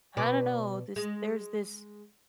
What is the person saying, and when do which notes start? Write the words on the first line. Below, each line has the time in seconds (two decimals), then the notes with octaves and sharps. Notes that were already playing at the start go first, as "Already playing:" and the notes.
I don't know, this there's this
0.17 B2 B4 D5
0.96 G#3